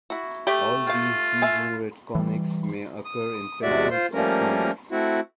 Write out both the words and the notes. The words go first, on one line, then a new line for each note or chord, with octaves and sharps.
All these degenerate conics may occur in pencils of conics.
E4 F#4
A3 G4
F4 F5 G5
E5 F5 G#5
E3 G3
D#6
E2 C3 G#3 F#4 D5 E5
F4 C5 C6
F3 G3 A3 A#3 C#4 A#4
A3 C4 E4 F#4